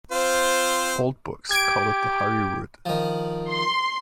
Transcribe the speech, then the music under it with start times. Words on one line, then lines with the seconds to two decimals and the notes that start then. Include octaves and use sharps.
Old books call it the Hari Rud.
0.11 C4 F4 C5
1.51 G4 G#6 D7
2.86 D#3 F3
3.50 C6